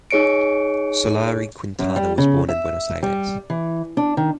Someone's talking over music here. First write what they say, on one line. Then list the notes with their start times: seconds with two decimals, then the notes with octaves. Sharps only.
Solari Quintana was born in Buenos Aires.
0.11 D#4 G#4 C#5 C#7 D7
1.79 F#2
1.96 G3
2.18 C#3
2.49 E5
3.03 G3
3.50 E3
3.97 D4
4.17 D#3